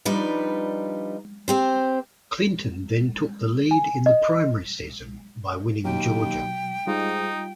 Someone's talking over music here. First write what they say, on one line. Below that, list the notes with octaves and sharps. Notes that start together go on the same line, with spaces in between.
Clinton then took the lead in the primary season by winning Georgia.
F3 G3 D4 D#4 B4
C4 G4 C5
G#5
D#5
D#2 B2 F#3 G5
G#2 G3 D#4 F4